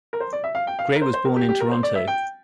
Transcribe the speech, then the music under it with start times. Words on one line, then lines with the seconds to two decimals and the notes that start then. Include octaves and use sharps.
Gray was born in Toronto.
0.13 A#4
0.20 C5
0.33 D5
0.44 E5
0.55 F5
0.67 G5
0.79 F5
0.95 A#4
1.02 C5
1.14 C5
1.25 A#4
1.36 G4
1.49 G4
1.60 A#4
1.72 C5
1.83 D5
1.96 E5
2.08 G5